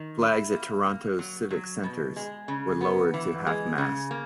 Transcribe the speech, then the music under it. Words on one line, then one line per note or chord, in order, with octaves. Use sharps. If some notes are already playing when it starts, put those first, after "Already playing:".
Flags at Toronto's civic centres were lowered to half mast.
Already playing: D#3
E4
A#3
A#3
F#3
F#3
B2
G#3
C#3
B3
E3
G#3
C#3
A#3